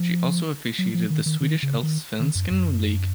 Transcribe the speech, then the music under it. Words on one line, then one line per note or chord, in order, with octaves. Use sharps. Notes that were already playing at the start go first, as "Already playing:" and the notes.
She also officiated in the Swedish Allsvenskan league.
Already playing: F3
F#3
F3
D#3
D#3
D#3
C#3
D#3
D#3
F#2
F#2